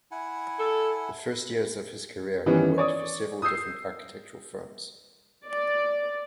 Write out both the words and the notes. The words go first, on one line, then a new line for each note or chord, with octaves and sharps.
The first years of his career he worked for several different architectural firms.
E4 F#5 G#5
A4
D#3 E3 G3 B3 C#4
C#5 D5 D#6
D#6 E6 G6 C7
D5